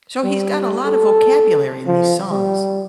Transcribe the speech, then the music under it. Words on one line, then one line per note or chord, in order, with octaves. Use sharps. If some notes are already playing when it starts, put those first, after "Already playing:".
So he's got a lot of vocabulary in these songs?
G3
A4
F3
G3